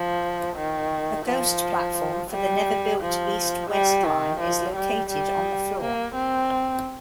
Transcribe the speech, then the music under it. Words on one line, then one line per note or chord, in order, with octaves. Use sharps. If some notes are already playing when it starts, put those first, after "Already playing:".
A ghost platform for the never built east-west line is located on the floor.
Already playing: F3
D#3
F3
G3
F3
G3
D#3
F3
G3
G3
A#3
C4